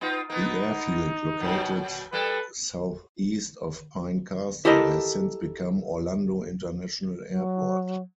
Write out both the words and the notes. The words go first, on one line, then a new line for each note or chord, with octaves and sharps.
The airfield, located southeast of Pine Castle, has since become Orlando International Airport.
B3 D#4 F4
A#3 B3 D#4
A#2 F#3
G3 A#3 A4 B4
E4 G4 A4 A#4 D#5
F#3